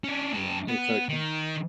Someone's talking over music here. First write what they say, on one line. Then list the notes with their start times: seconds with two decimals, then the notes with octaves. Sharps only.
you know, it's like, "Huh."
0.04 C#4 D4
0.33 F#2 A5
0.69 B3
1.09 D#3